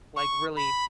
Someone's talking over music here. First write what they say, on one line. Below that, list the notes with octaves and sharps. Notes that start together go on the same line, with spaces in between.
like really
C#6
B5